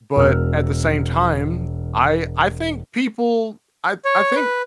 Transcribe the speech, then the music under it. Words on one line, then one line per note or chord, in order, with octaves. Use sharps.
but at the same time, I I think people I I think
E1 A#4 E6 F6
C#5
B4